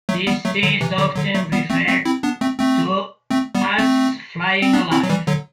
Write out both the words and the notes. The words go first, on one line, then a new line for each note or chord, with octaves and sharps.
This is often referred to as "flaying alive".
F#3 A3
G3 B3
F#3 A3
D3 F#3
C3 E3
D3 F#3
D3 F#3
F#3 A3
G3 B3
A3 C4
A3 C4
C4 E4
B3 D4
A3 C4
A3 C4
A3 C4
G3 B3
A3 C4
C4
B3 D4
C4 E4
F#3
E3 G3
D3 F#3